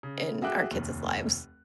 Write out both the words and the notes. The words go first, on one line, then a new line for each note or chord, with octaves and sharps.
in our kids' lives.
C#3
F#4 G#4 E5 G5 D6 F#6
F1 D#2